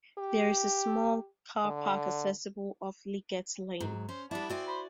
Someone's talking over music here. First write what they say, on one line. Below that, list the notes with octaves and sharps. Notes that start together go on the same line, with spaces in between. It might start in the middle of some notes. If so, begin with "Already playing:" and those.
There is a small car park accessible off Lidget Lane.
G4
D3
G#2 F#3
C#4 C5
G3 B3 D4 E4 A5
C4 F#4 D5 G#5
C5 B5